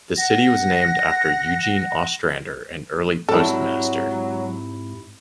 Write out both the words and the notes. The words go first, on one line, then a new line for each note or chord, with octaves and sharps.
The city was named after Eugene Ostrander, an early postmaster.
F#5 A#6
G#2 C3 F#3 E4 A4